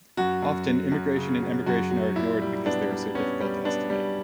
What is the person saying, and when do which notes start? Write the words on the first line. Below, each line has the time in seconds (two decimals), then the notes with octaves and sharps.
Often, immigration and emigration are ignored because they are so difficult to estimate.
0.17 F#2 F#4
0.43 F#2
0.67 F#3
0.92 F#2
1.17 C#3
1.42 F#3
1.67 F#2 F#4
1.91 F#3
2.16 A#2 E4
2.42 G3
2.66 B3 D4
2.91 G3
3.15 B3 C#4
3.41 G3
3.65 B3 D4
3.90 G3